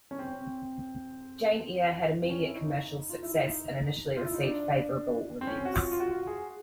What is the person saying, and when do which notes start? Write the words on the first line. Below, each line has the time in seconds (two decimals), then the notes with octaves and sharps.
"Jane Eyre" had immediate commercial success and initially received favourable reviews.
0.11 C#4
0.19 C4
2.23 C4
2.30 C#4
2.48 E4
2.57 D#4
3.09 F4
3.23 E4
3.36 D#4
4.17 F4
4.25 E4
4.34 D#4
4.42 D4
5.41 C4
5.47 C#4
5.65 F#4
5.74 F4
5.92 F4
6.00 F#4
6.27 G#4